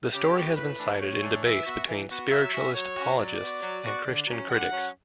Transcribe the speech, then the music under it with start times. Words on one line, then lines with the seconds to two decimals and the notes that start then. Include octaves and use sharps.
The story has been cited in debates between Spiritualist apologists and Christian critics.
0.12 C#3 G4
0.34 G3 B3 F#4
0.55 A2 B4
0.78 E3 A3 D4
1.00 A2 C#5
1.21 E3 A3 D4
1.43 E3 E5
1.65 B3 F#4
1.87 E3
2.09 B3 F#4
2.30 F#3 E5
2.52 C#4 F#4
2.74 F#3 C#5
2.96 C#4 F#4
3.17 F#3 D5
3.39 B3 F#4
3.61 F#3
3.84 B3 F#4
4.05 D3
4.27 F#3 C#4
4.49 D3 F#5
4.71 F#3 C#4